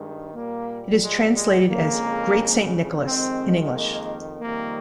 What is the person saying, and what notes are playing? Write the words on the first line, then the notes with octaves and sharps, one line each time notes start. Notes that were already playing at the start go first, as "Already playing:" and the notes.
It is translated as "Great Saint Nicholas" in English.
Already playing: G2 D#3 G#3
A#2 G3 A#3
G#3
G#3
F2 C#3 G#3 A#3
F2 D#3 G#3 C4
A#3
F2 C3 D#3 G3 A#3